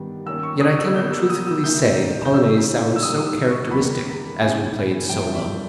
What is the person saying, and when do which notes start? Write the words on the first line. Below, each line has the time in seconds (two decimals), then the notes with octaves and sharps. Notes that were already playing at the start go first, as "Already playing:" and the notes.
Yet I cannot truthfully say the Polonaise sounds so characteristic as when played solo.
Already playing: G2 D#3 G3 B3
0.26 D#3 A#3 C#4 E6
0.43 C#6
0.61 D#6
0.79 E6
0.96 B2 G3 A#3 G6
1.12 E6
1.30 D#6
1.47 E6
1.64 D#3 A#3 E4 G6
2.25 G6
2.34 C#3 E3 G#3 D#4 E6
2.96 E6
3.02 G#2 D#3 G3 D#6
3.26 E6
3.49 C#6
3.71 E2 D#3 G3 A#3 B5
4.40 C#3 G#3 B3 E4 G#5
5.09 G2 E3 G3 C#4 E4 G5
5.34 E5